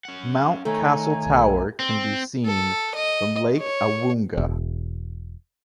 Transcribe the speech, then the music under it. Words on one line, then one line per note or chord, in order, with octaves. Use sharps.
Mount Castle Tower can be seen from Lake Awoonga.
C#4 F#5
D#3 A3 C#5 G#5 A#5
B1
C4
A4
D#5
C#5
E1